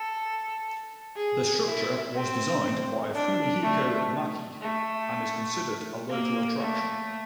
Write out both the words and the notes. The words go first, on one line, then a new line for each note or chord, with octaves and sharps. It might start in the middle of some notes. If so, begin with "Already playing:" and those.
The structure was designed by Fumihiko Maki and is considered a local attraction.
Already playing: A4
G#4
E4
C4
D4
A3
A3
A#3
A3